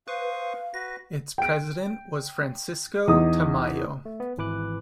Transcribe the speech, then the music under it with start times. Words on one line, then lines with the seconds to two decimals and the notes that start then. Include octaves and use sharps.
Its president was Francisco Tamayo.
0.08 B4 C5 F5 C#6 D#6
0.74 F#4 B4 A#6
1.38 G5 D7
3.08 E2 D#4 D#6
4.05 A3
4.20 B3
4.38 G#1 E3 B4 D6 F#6